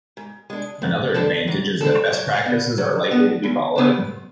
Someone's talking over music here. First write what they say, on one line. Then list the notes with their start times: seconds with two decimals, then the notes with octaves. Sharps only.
Another advantage is that best practices are likely to be followed.
0.17 G#2
0.50 G#3 D4
0.82 G#2
1.14 G#3 D4 A4
1.48 G#2
1.81 G#3 D4 A4
2.12 F#3
2.46 B3 D4
2.78 F#3
3.11 B3 D4
3.43 E2
3.76 C#3 E3 B3 D4